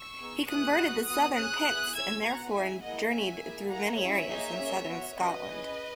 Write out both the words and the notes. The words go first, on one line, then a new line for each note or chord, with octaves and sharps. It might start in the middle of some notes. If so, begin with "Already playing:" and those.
He converted the Southern Picts and therefore journeyed through many areas in southern Scotland.
Already playing: C#6 E6
B3 D#4 G#4
B3 E4 G#4 D#6 F#6
B3 F#4
B3 F#4 D#6 F#6
C#4 G#4 D#6 F#6
B3 E4 G#4
C#4 E4 G#4 E6 G#6
B3 F#4 F#5 A#5
C#4 E4 G#4 E5 G#5
A#3 E4 G#4 D#5 F#5
C#4 F#4 E5 G#5
A#3 E4 G#4
A#3 E4 G#4 F#5 A#5
C#4 E4 G#4 C#5 E5
A#3 D#4 G#4
A#3 C#4 G#4
B3 F#4
C#4 F#4 B4 D#5
C#4 E4 G#4